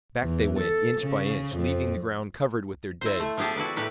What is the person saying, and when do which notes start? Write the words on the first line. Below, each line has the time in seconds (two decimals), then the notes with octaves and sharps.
Back they went, inch by inch, leaving the ground covered with their dead.
0.22 E2
0.59 A4
1.02 C#3
1.56 F2
3.01 E4 C5
3.20 A3
3.37 F3 B3 G4 G#4 A5
3.56 E4 F#4 B4 D5
3.76 A2 G4 B4